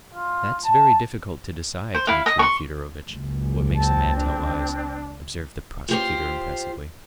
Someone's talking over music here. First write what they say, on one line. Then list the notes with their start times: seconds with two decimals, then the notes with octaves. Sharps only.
"That's very difficult to decide, Dmitri Fyodorovitch, what makes a man tell lies," observed the prosecutor impressively.
0.14 F4
0.64 A5
1.94 C5
2.07 E4 F5
2.26 D#5
2.39 C6 C#6
3.09 F#1 C#2
3.75 C4 A5
4.15 D4
5.89 F4 G4 C5